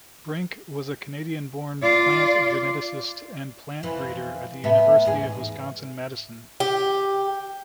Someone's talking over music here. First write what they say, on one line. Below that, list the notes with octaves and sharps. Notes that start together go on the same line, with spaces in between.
Brink, was a Canadian-born plant geneticist and plant breeder at the University of Wisconsin-Madison.
F4 D5
F2 E3
A2 B3 E5
E2 G#2 G#4
G4